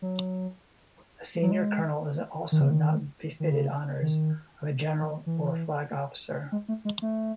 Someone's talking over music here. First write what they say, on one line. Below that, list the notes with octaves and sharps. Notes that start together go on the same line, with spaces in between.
A senior colonel is also not befitted honors of a general or flag officer.
F#3
F#3
G#3
D#3
C#3
D#3
D#3
C#3
D#3
D#3
E3
G#3
A3
G#3
A3